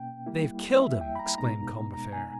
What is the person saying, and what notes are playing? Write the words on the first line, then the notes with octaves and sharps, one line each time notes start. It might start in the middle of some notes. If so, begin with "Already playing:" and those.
"They have killed him," exclaimed Combeferre.
Already playing: B2 A#3 C#4 G5
G3 A#3 E4
E5
G5
B5
A#5
B2 G#3 B3 D#4 A#5
A#5
G#5